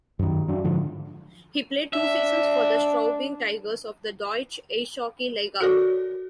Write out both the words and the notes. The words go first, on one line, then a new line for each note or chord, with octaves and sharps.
He played two seasons for the Straubing Tigers of the Deutsche Eishockey Liga.
F#2 D#3
F#3 D4
G#2 D3 F3
D4 E5
F#4 A4 A#4 C#5 D5